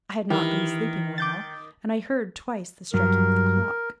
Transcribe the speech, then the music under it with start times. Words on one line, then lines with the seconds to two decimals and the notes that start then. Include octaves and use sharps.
I had not been sleeping well, and I heard, twice, the striking of the clock.
0.30 D#3 E3 G4
1.18 D6 G6 A6
2.94 G2 F#3 A#4